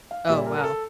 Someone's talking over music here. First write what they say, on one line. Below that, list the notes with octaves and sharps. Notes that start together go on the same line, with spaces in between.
Oh, wow.
F5
A#2 G3 E5
A#4
A#4
A4